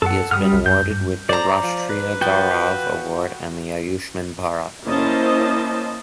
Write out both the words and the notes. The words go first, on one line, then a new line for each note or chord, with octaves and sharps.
He has been awarded with the Rashtriya Gaurav Award and Ayushman Bharat Award.
F#2 A4 F#5
G2 G3 D#6 F6
C2
F#2 G6
G2
C5 D5 A#5
F3
B4
F3 F#4 G5
A#3 C#4 E4 C5 D#5 A5